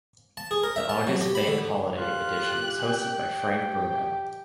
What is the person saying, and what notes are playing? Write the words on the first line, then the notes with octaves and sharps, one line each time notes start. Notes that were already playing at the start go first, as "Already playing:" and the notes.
The August Bank Holiday edition was hosted by Frank Bruno.
A5
G#4
A#4
E5
A5
F#3
G4
B5
D3
F4 G4 F#6
G5
G4